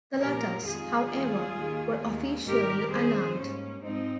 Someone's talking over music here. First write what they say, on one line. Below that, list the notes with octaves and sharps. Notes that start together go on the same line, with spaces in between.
The Lottas, however, were officially unarmed.
A#2 F3 A#3 G4 A#4
F2 D#3 G#3 F4 G#4
D#2 D#3 G3
D#2 D#3 A#3
D#2 D#3 A#3
G#2 D#3 G#3 G4 A#4
F2 D#3 G3 G#4 C5
G#2 G3 A#3 C#4
G#2 F3 G#3 C4 D#4